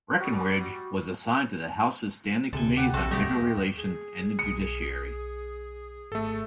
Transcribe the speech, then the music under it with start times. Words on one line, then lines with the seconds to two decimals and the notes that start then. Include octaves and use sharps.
Breckinridge was assigned to the House's standing committees on Federal Relations and the Judiciary.
0.20 G3 F#4 C#6 D#6
2.53 D2 C3 A4 G#5
2.77 G4 B4 F#5
2.94 A#1 C4 F#4 A4 B4 E5
3.11 B2 D#3 G3 A3 G4 D5 D#5
3.23 D#2
3.77 G#4
4.39 B1 D#6 C#7
6.12 G#1 A3 A4 E5